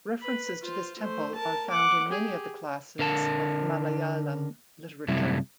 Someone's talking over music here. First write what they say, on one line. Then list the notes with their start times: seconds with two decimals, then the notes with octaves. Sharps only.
References to this temple are found in many of the classics of Malayalam Literature.
0.21 B4 B5
0.62 F4 C5
0.99 A3 C5
1.35 A#4 A5
1.70 F#5 D6
2.08 G4 G#4
2.99 D3 A#4 A5
5.08 F#2 C3 G3 A3 E4